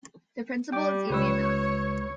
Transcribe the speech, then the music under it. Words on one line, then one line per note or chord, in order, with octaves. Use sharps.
The principle is easy enough.
G3 G5 D6
C#2 B4 C#5 E6